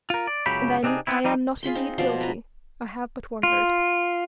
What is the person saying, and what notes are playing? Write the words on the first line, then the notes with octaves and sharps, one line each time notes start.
And then, I am not indeed guilty: I have but wandered.
F4 A#4
D5
C#2 F#2 C#3 F#3 G4 B5
C3 C4 D4 D#4 G#4
B3 C4 E4
F3 G3 D#4
F4 G#4 B5 C6
C4 D#4
B2 F3 D5 C6
B4 A#5
F4